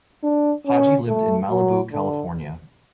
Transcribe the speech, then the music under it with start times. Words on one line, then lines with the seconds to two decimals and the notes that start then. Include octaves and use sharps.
Haji lived in Malibu, California.
0.23 D4
0.66 C#4
1.08 A3
1.50 F#3
1.92 D3